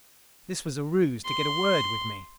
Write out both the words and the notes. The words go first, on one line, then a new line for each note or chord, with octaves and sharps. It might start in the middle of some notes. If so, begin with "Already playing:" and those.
This was a ruse to get a word with me.
C6